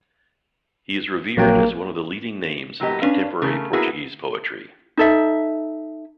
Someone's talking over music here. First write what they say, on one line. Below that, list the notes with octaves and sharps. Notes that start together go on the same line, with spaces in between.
He is revered as one of the leading names in contemporary Portuguese poetry.
A#1 F#3 A#3 G5
A2 F#3 A#3 B3 G4 D#5
C#4 D4 B4 F5
C#3 A3 A#4
A#3 B3 E4 F#4 G#4 A#4
D#4 A4 E5